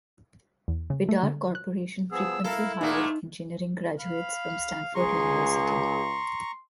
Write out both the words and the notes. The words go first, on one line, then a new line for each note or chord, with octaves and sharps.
Vidar Corporation frequently hired engineering graduates from Stanford University.
E2
C#3
A3
D3
F#6
F3 B3 G#4 E6
E4 A4 A#4 F5
A#2 A3 D#4 G#4 A#4 F#5
F5 B5
C#2 G#4 A#5 C6 C#6